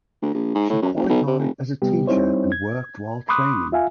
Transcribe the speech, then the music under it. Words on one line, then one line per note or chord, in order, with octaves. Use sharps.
She qualified as a teacher and worked while training.
D2
A#1
G#2
A2
F#2
F#1
B1
C3
F1
C3 G3 B3 G4
G3 C4 D#4 E4 C5 C#5
G#6
B5 C6 D6 D#6 F#6
F4 E5 F5 G#5